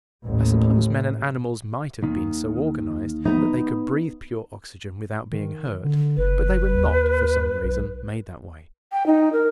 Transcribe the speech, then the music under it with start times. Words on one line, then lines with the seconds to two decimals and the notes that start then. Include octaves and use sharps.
I suppose men and animals might have been so organized that they could breathe pure oxygen without being hurt, but they were not, for some reason, made that way.
0.24 A1 D#2
2.03 D#2 D#3
3.25 B3 D#4
5.32 D#3
5.84 D3
6.17 F#1 B4
6.74 D#2
7.64 B1
8.92 G5
9.07 D#4
9.33 A#4